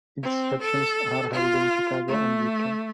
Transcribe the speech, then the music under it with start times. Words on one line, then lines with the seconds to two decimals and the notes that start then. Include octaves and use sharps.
Its sessions are held in Chicago and Wheaton.
0.23 C4
0.62 A4
1.33 F4
2.08 A3